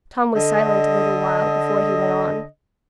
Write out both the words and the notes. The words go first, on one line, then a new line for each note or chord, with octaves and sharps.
Tom was silent a little while before he went on.
D3 D#5